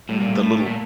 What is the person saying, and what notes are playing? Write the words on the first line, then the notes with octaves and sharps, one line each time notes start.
the little
A2 G3
A#2
A2
A3
A#2